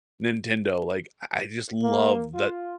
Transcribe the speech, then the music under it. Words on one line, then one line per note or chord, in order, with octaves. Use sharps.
Nintendo, like, I I just love tha
A#3
F4